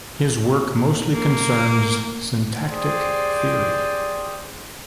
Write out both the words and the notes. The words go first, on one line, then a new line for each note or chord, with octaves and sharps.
His work mostly concerns syntactic theory.
A#3
G4 G#4 C5 D5